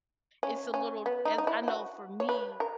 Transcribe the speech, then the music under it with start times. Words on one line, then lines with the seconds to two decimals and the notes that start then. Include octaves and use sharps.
it's a little as I know for me,
0.43 C#4
0.74 C#4
1.06 B3
1.25 D#4
1.38 D#4
1.47 E4
1.68 F#4
2.20 C#5
2.29 B4
2.60 A#4